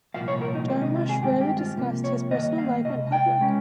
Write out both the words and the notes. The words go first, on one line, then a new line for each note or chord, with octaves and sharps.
Jarmusch rarely discusses his personal life in public.
C2 A#2 F3 A#3 F5
C#5
A#4
D#4
C3 D#3 G#3 C4 F4
D#4
F4
G#4
G2 D#3 G#3 C4 G4
G4
F4
C#2 C3 F3 A#3
C#5
G2 D#3 A#3 D#5
F5
C#2 C3 D#5
G5
C#3 G#3 C#4